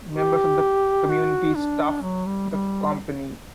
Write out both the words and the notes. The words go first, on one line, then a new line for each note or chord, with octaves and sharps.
Members of the community staff the company.
G4
F#4
D4
F#3
G3
G3